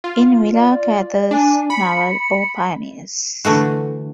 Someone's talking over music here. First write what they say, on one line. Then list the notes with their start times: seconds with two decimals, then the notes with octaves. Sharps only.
In Willa Cather's novel O Pioneers!
0.04 F4
0.54 D5
1.31 D4 G#5
1.70 B5 C#7
3.45 D3 E3 A3 F#4